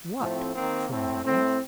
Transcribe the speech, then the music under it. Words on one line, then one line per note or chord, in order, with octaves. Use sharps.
"What?" from Billie.
A2 F3 A3 C4
D#3 A#3 C4
A2 A3 C4
A2 A3 C4